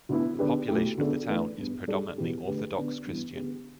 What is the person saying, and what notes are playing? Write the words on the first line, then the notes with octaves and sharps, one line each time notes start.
The population of the town is predominantly Orthodox Christian.
D2 D3 B3 E4
D3 B3 D4 G4 B4
B2 A3 E4 G4
D2 D3 B3 D4 A4
E3 A3 D4 B4
G2 G3 B3
G2 G3 D4 A4
E2 B2 B3 E4 G4
D3 A3 G4 B4
D3 B3 D4 B4
G2 E3 B3
D3 B3 G4